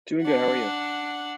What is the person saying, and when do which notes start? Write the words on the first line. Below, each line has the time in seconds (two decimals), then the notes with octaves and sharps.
Doing good, how are you?
0.22 D4 F#5